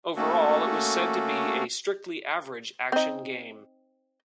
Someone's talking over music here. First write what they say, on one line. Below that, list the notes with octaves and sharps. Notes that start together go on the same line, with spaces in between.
Overall it was said to be a strictly average action game.
A3 A#3 C#4 F#4 A4
C4 D#4